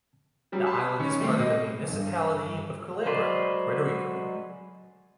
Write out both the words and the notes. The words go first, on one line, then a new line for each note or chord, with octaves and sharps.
The island is part of the municipality of Culebra, Puerto Rico.
F#3 G3
A5 B5 C6
D#3 C#4
G3 A3 C4
B2 D#5
G2
F#3 G#3 B4 C5 D5